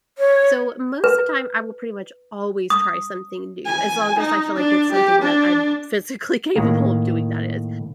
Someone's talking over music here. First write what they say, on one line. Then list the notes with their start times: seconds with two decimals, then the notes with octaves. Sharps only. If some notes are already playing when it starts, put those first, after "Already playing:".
so, most of the time, I will, pretty much, always try something new as long as I feel like it's something that I'm physically capable of doing, that is.
0.18 C#5
1.04 B4
2.70 D#6
3.66 G#5
4.19 D#4
4.57 D4
4.93 G4
5.22 D4
6.56 A2 D#3 A#3